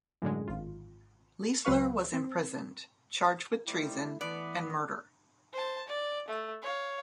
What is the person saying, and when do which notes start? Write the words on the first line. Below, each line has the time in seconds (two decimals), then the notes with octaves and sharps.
Leisler was imprisoned, charged with treason and murder.
0.22 F#2 A2 D3 G#3
0.48 G#1 F4
1.65 C#2 F#3 B4 F5 C#6
2.14 C4
3.66 D#3 F3 G3 A3 E4
4.21 E3 A3 B3 D5
5.53 C5 A5
5.88 D5
6.28 A3
6.62 C#5 F5